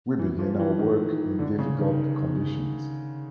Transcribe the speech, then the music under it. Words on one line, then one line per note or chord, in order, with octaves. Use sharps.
We begin our work in difficult conditions.
E3
F3
E3
D#3
D#3
D3
C#3
D#3